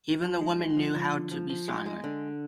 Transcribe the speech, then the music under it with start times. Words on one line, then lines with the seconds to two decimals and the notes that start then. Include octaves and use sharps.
Even the women knew how to be silent.
0.22 F3
0.41 G#3
0.59 G#3
0.77 F3
0.95 F3
1.13 D3
1.32 F3
1.50 F3
1.68 G#3
1.86 G#3
2.04 D3